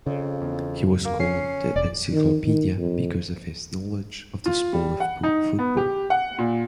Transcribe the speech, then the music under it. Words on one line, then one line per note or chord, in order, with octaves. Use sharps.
He was called "The Encyclopedia" because of his knowledge of the sport of football.
F2 C#3
E2
A#3
C#4 C7
E1 D5
D#3
D#3
F2
F4
G3
F#5
D#4
B3
G4
F#5
A#2